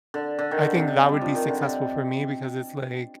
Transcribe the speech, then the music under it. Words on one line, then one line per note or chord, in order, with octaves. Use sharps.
I think that would be successful for me because it's like,
D3
D3
D#3
D3
C3
G3
F3
D#3
D3
C3